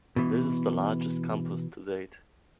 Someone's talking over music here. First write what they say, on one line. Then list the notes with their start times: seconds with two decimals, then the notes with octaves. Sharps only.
This is the largest campus to date.
0.16 B2 E3